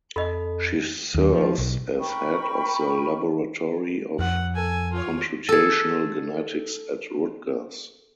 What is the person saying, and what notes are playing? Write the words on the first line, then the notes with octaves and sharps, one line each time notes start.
She serves as Head of the Laboratory of Computational Genetics at Rutgers.
F2 A4 D#5 B5
D#2
F3
B1
A#4 G5 B5 C#6
F2 F#5
A4 G#5
F4 C#5
G#4 A4